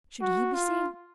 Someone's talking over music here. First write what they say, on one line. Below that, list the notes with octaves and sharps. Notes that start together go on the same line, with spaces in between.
Should he be seen?
F#4
F4